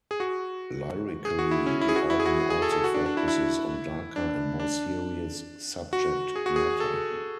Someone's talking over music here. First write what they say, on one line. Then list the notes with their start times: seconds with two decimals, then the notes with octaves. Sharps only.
Lyrically, the album also focuses on darker and more serious subject matter.
0.11 G#4
0.20 F#4
1.25 G#4
1.39 F#4
1.51 E4
1.66 C#4
1.81 E4
1.89 G#4
1.96 F#4
2.10 E4
2.20 G#4
2.26 F#4
2.40 G#4
2.50 G#4
2.62 A4
2.72 A4
2.84 F#4
2.94 D4
3.06 D4
3.17 E4
3.28 E4
4.16 D4
4.60 D4
5.93 F#4
6.36 G#4
6.46 F#4
6.56 G#4
6.80 A4